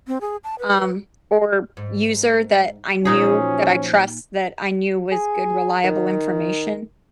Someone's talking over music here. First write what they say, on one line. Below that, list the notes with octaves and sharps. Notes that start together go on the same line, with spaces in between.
um, or user that I knew that I trust, that I knew was good reliable information,
C4
G#4
A5
B4
B4
G#2
A#2 F3 F#3 C#4 D#4 G#4
G#4
D#3